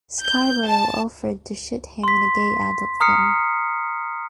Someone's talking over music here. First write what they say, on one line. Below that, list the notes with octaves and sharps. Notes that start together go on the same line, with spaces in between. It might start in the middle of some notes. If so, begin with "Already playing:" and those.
Scarborough offered to shoot him in a gay adult film.
G6
A5
C6 B6
A#5 D#6 F6 C7 C#7